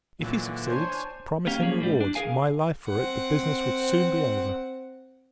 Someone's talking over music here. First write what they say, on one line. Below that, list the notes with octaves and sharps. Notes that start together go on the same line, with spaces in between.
If he succeeds, promise him rewards; my life for it, the business would soon be over.
A#2 D3 E3 F#3
D4 C5 C#5 G#5
A#3 C#4 G4 F5
F#3 A#3 C#4 G#4
A2 G3
D4
G#4 A#4 F5 G#5
C4 F#5